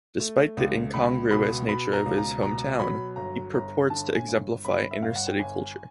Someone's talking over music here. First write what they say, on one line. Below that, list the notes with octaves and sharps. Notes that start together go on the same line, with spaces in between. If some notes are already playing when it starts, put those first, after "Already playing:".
Despite the incongruous nature of his hometown, he purports to exemplify inner city culture.
A3
C#2
C#2 B5
B2 B5
B2 B5
A#5
C#2
A#5
B2 A#5
F#3 B5
G1 A#5
G1 A#5
D3 A5
G#5
G1
G1 B5
E5
G2 F5
F#5
G5
G1 G#5